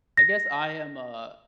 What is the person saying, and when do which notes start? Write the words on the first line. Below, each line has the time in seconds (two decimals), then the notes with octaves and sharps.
I guess I am a
0.17 A#6